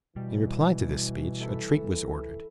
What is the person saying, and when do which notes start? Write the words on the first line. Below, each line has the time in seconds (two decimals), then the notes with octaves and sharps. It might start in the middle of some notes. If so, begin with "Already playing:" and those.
In reply to this speech a treat was ordered.
0.16 B2 E3 G3
1.40 A4 E5 B5